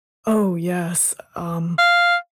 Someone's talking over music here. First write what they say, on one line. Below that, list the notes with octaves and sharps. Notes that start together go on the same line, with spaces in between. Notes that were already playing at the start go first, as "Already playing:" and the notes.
Oh, yes, um,
F5